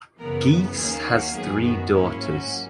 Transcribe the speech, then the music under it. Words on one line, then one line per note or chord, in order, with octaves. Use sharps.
Geese has three daughters.
F#2 C#3 E3 B3 A#4
D#2 D#3 A#3 C#4 G#4
F#4
F#2 D#3 F#3 B3 G#4
F#4
G#2 F#3 A#3 C#4 E4
F#4